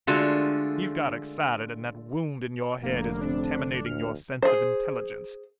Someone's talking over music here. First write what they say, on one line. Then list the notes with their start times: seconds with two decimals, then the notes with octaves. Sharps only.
You've got excited, and that wound in your head is contaminating your sense of intelligence.
0.07 D3 G#3 A3 F4 F#4
2.83 F1 D3 A#3
3.21 C4 D4
3.86 D2 F6
4.42 G#4 C5